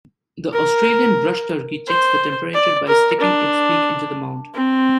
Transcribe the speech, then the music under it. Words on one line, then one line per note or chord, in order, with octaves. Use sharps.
The Australian brushturkey checks the temperature by sticking its beak into the mound.
A#4
C5
D5
A#4
D4
C4